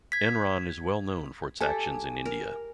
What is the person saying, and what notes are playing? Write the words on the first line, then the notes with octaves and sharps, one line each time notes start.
Enron is well known for its actions in India.
G#6 B6
G4 A4 E5 G#5
A#4